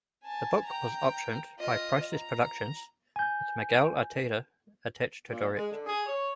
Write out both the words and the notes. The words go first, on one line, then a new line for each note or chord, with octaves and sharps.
The book was optioned by Process Productions, with Miguel Arteta attached to direct.
G#5 A5
G5 A#5
F4 D#5
A#5
G#5 G6
A#2
G#3
D3
G#4
C#5